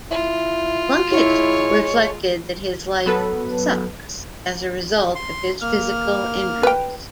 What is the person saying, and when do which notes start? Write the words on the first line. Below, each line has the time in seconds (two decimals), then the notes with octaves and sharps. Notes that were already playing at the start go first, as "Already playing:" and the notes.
Plunkett reflected that his life "sucks" as a result of his physical injuries.
0.11 E4 F4
1.11 G#3 E4 C#5
3.06 F#3 B3 A4 B4
5.15 C6
5.61 A#3 F6
6.63 B4 G5